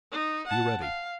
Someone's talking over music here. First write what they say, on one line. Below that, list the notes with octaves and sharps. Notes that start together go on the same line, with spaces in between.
Be ready.
D#4
F#5 A5
F5